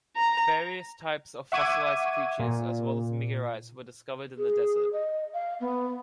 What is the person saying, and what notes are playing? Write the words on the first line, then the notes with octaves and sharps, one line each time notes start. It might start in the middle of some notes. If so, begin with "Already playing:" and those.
Various types of fossilized creatures as well as meteorites were discovered in the desert.
A#5
E5 F#5 C#6 D6 G#6 D#7
A#2
G#4
D#5
F5
B3